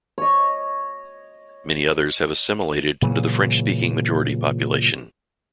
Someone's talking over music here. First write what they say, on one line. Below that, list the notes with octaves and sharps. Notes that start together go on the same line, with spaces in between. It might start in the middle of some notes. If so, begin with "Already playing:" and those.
Many others have assimilated into the French-speaking majority population.
C#5 D#5
A#2 C#3 E3 F#3